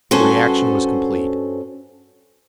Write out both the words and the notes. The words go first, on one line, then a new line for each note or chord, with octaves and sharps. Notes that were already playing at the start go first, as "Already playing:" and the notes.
The reaction was complete.
G2 C#4 F#4 A4 C5